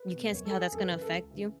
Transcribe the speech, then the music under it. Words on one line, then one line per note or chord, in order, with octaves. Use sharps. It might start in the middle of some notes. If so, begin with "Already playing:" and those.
you can't see how that's gonna affect you?
Already playing: B4
B2
F#2 C#5
A4
E3
G#4
F#2 A4
B4
C#3 E3 B4
A4
C#2
C#3 E3